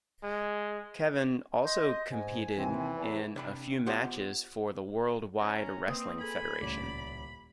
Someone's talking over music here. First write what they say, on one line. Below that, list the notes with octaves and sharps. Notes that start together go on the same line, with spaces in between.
Kevin also competed in a few matches for the World Wide Wrestling Federation.
G#3
D#5 C6 G6
G#2 G#5
D#2 C3 E3 C4
E2
C3 D4 B5
B3 F4 G4 C5 F#5
C#4 A#5
A#3 C4 B4 D#5 D#6
G#4 A4 G#5 B5
D#1 C#2 A2 C#3 C#4 D5